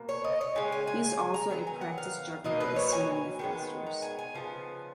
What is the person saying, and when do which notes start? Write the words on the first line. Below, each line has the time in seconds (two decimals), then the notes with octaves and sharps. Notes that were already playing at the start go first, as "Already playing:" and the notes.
He is also a practiced juggler as seen on "MythBusters".
Already playing: B2 A#3
0.09 C#5
0.24 D#5
0.41 C#5
0.55 C#3 G#3 G#5
0.72 G#5
0.87 G#5
1.04 G#5
1.19 G#5
1.34 A#5
1.50 D#3 F#3 B3 A#5
1.67 G#5
1.81 F#5
1.98 F5
2.44 B2 F#3 A#3 D#5
2.60 B4
2.76 C#5
2.92 G#5
3.39 D#3 G#3 B3
3.86 A#5
4.02 G#5
4.19 G#5
4.34 C#3 F3 B3